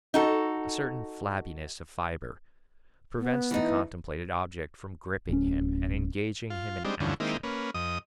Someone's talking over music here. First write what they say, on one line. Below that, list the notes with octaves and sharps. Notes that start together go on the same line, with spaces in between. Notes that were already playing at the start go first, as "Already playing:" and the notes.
A certain flabbiness of fiber prevents the contemplated object from gripping him and engaging him in action.
D#4 F#4 A4
B3
E3 A3 D#4
D1 C#4
F4
G3 G#3 C4 D4 D#4
D2 G2 D3 E3 F3 C#4
D#3 G#3 A#3 C4 D#4 E4
A#3 C#4 B4
F2 D#5 D#6